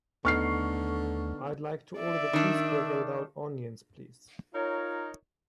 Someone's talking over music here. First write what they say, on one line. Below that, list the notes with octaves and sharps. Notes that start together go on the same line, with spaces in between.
I'd like to order the cheeseburger without onions, please.
D#2 D3 A3 B3 D#4 C#6 F6 C7
D5 E5
D#3 D4
D#4 F4 A#4 C#5